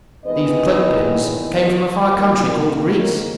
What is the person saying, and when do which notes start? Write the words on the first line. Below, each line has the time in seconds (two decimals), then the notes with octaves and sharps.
These cloak-pins came from a far country called Greece.
0.23 E2 D#3 G#3 B3 B4 D#5
2.07 G#2 D#3 A#3
2.98 A#4 C#5